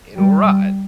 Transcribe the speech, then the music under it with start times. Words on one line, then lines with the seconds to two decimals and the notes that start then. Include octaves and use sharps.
It'll rot
0.15 G3